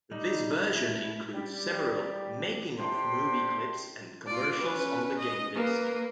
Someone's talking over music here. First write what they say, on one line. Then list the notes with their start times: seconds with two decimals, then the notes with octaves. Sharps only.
This version includes several "Making of" movie clips and commercials on the game disc.
0.11 G3 D#4
0.60 E4
1.34 G3 G4
2.79 A3 D4 G4 C5 G5 C6
4.27 F4 D5
4.60 C#4 B4
5.19 D#5
5.56 A#3 B4